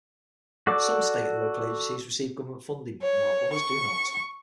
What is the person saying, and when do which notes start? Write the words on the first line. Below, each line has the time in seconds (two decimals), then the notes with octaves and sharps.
Some state and local agencies receive government funding, while others do not.
0.67 F#4 A4 D5 D6
3.02 C#5
3.54 C#6